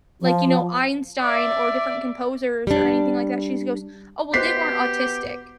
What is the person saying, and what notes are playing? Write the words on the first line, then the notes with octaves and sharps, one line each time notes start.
like, you know, Einstein or different composers or anything like that she goes, "Oh, well, they weren't autistic.
F3
D5 E5
G3 D4
B3 F#4 G4 C5 D#5 B6 C7